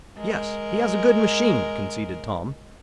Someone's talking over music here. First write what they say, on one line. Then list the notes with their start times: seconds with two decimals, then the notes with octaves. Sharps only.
"Yes, he has a good machine," conceded Tom.
0.18 G#3 A#4